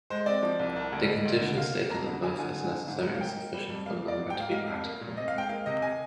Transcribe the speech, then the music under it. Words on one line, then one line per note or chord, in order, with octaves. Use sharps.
The condition stated above is necessary and sufficient for a number to be practical.
G#3 C5
C4 D5
F3
C2
C2
D2
G#3
D2
D3
A#3 F5
A#3
F2 A#5
D3
F4 G#5
D3 G#5
D3
D3
G#2
G#2
F5
A#3 G5
A#3
G3
F2
A#3 F5
F5
A#3
D5
G#2
G#2 G5
F5
G#3 F5
F2
A#3
A#2
C4 D#5
F5
G#3
G5
A#3 F5
C3 D#5
G#5